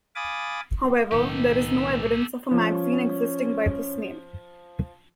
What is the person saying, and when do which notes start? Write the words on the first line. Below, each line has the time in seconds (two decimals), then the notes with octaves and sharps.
However, there is no evidence of a magazine existing by this name.
0.15 F5 G#5 B5 D6 D#6 A6
1.12 B1 A2 D#3 F#3 A#3 B3 G4 A4
2.51 F3 C#4